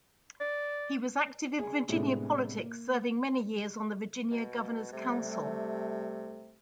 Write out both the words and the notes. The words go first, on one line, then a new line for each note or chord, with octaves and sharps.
He was active in Virginia politics, serving many years on the Virginia Governor's Council.
D5
G#4
A2 C3 G#3 B3 D4
A#3
B2
C3 G3 A3